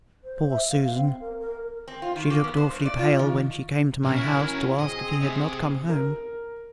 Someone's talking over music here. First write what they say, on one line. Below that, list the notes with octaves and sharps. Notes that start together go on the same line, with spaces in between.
Poor Susan! she looked awfully pale when she came to my house to ask if he had not come home.
C5
E5
F5
C4
A#4
A#4
C4
F4
D#3
A#3
B3
C5
G2
D5
F4
D#3
B1 C#4 A#4 G#5
E4 F#4
C4 G#4 D#5
C3
A#4